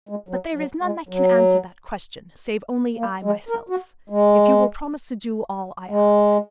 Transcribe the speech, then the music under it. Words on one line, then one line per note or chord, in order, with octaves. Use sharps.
But there is none that can answer that question save only I myself, if you will promise to do all I ask.'
G#3
F#3
F#3
G#3
F#3
A#3
G#3
A#4
F#4
G#3
G#3